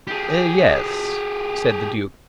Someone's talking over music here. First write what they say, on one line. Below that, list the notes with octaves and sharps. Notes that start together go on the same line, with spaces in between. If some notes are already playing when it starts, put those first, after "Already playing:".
"Yes," said the Duke.
G4 G#4